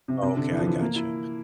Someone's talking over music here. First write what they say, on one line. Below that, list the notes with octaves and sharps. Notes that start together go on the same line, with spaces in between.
Okay, I gotcha,
C3
C3
D3
E3
F3
E3
A#3
E4